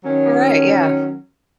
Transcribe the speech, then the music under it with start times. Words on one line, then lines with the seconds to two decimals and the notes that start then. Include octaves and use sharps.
Alright, yeah.
0.04 D#3 F#3 C#4